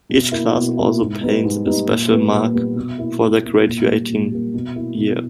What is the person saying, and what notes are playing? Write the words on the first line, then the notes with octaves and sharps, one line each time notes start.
Each class also paints a special mark for their graduating year.
B2
A#3 E4
B2
A#3 E4
G#2
G3 B3 D#4
G#2
G3 B3 D#4
A#2
G3 B3
A#2
G3 B3
B2
A#3 E4
B2
A#3 E4
A#2
G3 A#3
A#2
G3 A#3
B2
A#3 E4
B2